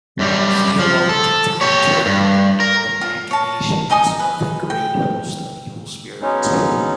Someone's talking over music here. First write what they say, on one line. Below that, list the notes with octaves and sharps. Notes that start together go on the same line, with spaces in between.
He alone can counteract the machinations of the great host of evil spirits.
F#2 G3
F3
A4
G4 C#5
G2
A#4
F4
C#5 A5
D#4 D#5 G#5 D#6
B4
G5
F#3 G#3 B3 C#4 D#4